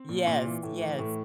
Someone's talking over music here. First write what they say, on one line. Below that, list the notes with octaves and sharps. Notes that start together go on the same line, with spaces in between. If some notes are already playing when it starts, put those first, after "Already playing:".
Yes. Yes.
Already playing: C4
A#2
A#2
E3
A2
E3
A2